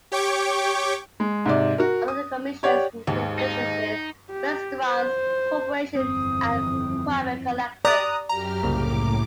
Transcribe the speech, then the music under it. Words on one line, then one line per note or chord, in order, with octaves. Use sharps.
Other commissions include businesses, restaurants corporations and private collectors.
G4 C#5 G5 C#6 D6
G#3
G#2 C3 D5
F#4 A#4
D#6
G4 C#5 D5 F#5
D#2 G#2
D#4
G4
C5
G1 F2 E3 C4 D#6
D5 A#5 D#6 F#6
F#2 G4 A#5 F6
C2 A2 C#3 A#3 D6